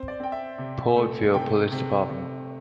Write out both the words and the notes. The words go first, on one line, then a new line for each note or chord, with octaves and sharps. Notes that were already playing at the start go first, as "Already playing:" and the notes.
Port Vue Police Dept.
Already playing: C4 C5
D5
C4 G5
E5
C3
A3
C3 G5
C3
C3